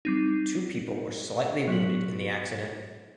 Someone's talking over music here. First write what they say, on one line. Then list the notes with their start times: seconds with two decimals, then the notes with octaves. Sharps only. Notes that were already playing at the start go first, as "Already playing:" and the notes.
Two people were slightly wounded in the accident.
0.05 G3 C4 D#4
1.68 F#3 B3 F#4